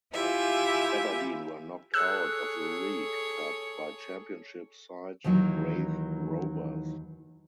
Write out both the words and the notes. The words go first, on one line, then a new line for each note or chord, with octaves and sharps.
Aberdeen were knocked out of the League Cup by Championship side Raith Rovers.
E4 F4 G4 E5 G#5
G#4 A4 C#5 E6 F#6
D#2 D#3 E3 F#3